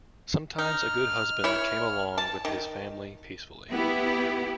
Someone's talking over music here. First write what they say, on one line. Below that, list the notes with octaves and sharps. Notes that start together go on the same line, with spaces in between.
Sometimes a good husband came along with his family, peacefully.
D#4 F6
E4 C#5
A5
D#3
B3 E4 G4